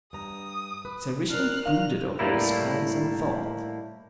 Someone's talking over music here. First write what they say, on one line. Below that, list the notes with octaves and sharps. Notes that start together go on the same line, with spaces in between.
Sir Richmond brooded over his sculls and thought.
G2 A#5 D#6
B4
D4 A#4 F6 F#6 C7
D#4 F5 F7
A2 G3 A#3 E4